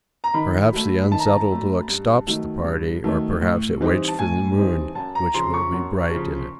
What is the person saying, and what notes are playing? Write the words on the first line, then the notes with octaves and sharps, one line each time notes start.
Perhaps the unsettled look stops the party, or perhaps it waits for the moon, which will be bright in a day or two.
A#5
D#3 B5
F#3 A3
D#3 A5
A#5
A5
F#3 A3
G2
D#3 F#3 A3
G2
D#3 F#3 A3
A2
E3 G3 C4 D#4
A5
A2 G#5
E3 G3 C4 D#4
F#2 A5
A#5
C#3 F3 C6
C#6
F#2
C#3 F3